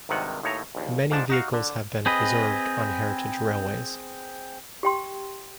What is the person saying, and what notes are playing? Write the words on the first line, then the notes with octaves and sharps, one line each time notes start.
Many vehicles have been preserved on heritage railways.
G#1 G2 C3 D#3 F#5
D#2 A2 D#4 C#5 E5 A#5
A#1 D#2
G#2 F3 D4 A5
D#4 F#4 F5
D3
C4 G#4 B4 D#5
G4 G5 C6